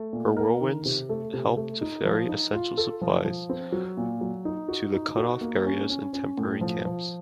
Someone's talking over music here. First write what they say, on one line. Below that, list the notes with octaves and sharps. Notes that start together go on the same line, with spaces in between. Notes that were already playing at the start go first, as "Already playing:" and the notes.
Her Whirlwinds helped to ferry essential supplies to the cut-off areas and temporary camps.
Already playing: A3
A#2
A#4
D#3
C3
A3
C3
A3
D#4
F3
D#4
F4
A4
F3
F3
C4
F#3
A#2
F#3
D#4
F#4
D#4
F#4
A#3
C#4
C#4
C#4
A2
F3
F3